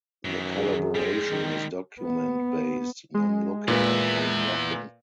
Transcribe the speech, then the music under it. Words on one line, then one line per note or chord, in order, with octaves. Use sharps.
The collaboration is document-based, non-locking, and non-blocking.
F#2 D#3 E3
G#4
G3 G#3
D#3
B3
G#3
E2 A#2 E4 B4